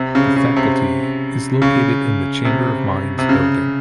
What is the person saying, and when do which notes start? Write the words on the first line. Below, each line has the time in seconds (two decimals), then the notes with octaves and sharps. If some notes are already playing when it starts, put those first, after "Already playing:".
The Faculty is located in the Chamber of Mines Building.
Already playing: C3
0.15 C#3
0.36 C#3
0.57 C3
1.62 C#3
2.45 C3
3.19 C3
3.29 C#3